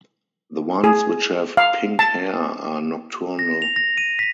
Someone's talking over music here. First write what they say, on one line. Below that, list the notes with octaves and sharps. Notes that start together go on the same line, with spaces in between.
The ones which have pink hair are nocturnal.
G#4
F5
A5
A#6
F7
A#6
D#7
B6